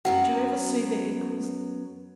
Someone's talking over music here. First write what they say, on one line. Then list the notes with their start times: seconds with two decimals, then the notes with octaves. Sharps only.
Did you ever see their equals?
0.05 F#2 F#3 B3 F#4 F#5